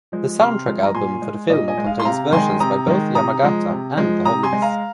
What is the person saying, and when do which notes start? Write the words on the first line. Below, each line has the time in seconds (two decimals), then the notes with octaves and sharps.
The soundtrack album for the film contains versions by both Yamagata and the Hollies.
0.12 F3 G#3
0.40 C3 C6 F6
0.67 F3 G#3
0.83 A#5
0.94 A#2 G#5 C6
1.22 G#3
1.50 A#2 D#5
1.68 D#5 G#5
1.78 G#3
1.86 F5
2.00 C6
2.05 C3 F5 A#5
2.32 D#3 G#3 G#5 C6
2.60 C3 A#5 D#6
2.87 D#3 G#3
3.15 C3 A#5 D#6
3.42 F3 G#3
3.70 C3
3.97 F3 G#3
4.25 C3 A#5 D#6
4.43 G#5 C6
4.53 G#3
4.62 F5 A#5